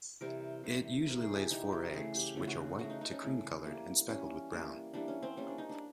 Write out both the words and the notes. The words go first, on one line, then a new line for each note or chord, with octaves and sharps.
It usually lays four eggs, which are white to cream-colored and speckled with brown.
C3 E3 G3 A#4
C3 E3 G3
C3 E3 G3 A#4
G#4
G4
C3 E3 G3 D#4
G4
C#3 E3 A3 G#4
G4
C#3 E3 A3
F#4
C#3 E3 A3 F#4
D#4
D#4
C#4
C#3 E3 A3
E3 G3 A#3
E3 G3 A#3 C#4
E3 G3 A#3
E3 G3 A#3 D4
C#4
C4
E3 G3 A#3 C#4
D4
D#4
D4